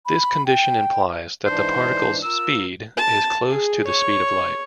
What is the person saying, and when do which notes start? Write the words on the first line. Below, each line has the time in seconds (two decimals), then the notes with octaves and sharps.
This condition implies that the particle's speed is close to the speed of light.
0.06 B5
0.46 G5
1.46 G#2 E3 D4 C5
2.23 F4 A#4 E6
2.97 A5
3.50 G#4
3.87 C#5